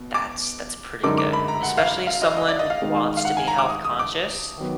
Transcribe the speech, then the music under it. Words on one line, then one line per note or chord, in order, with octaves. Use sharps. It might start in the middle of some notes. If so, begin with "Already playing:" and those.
that's that's pretty good, especially if someone wants to be health-conscious.
Already playing: B2
D6
F#2 D3 G#3 D#4 A#4 D6
D6
B5
A#5
F#5
F5
F5
D#5
D#5
D5
D#5
F5
D#3 G#3 D#4 G#4
F5
F#5
G#5
A#5
D6
D#6
D#6
D6
D#3 F#3 B3